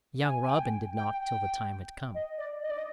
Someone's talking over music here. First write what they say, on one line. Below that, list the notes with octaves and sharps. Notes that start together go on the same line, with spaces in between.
Young Robin did not till the time had come.
G#5
G#5
G5
G5
G5
D#5
D5
D#5
D5
D#5